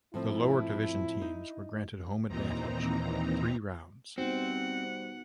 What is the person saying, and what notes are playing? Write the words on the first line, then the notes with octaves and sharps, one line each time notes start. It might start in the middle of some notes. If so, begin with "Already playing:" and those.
The lower division teams were granted home advantage three rounds.
A2 F3 C4 E4
D#4
D#2 A#2 E3 C4 D#4 A#5
G3 B3 C4 D#4 F#4 C5 F#5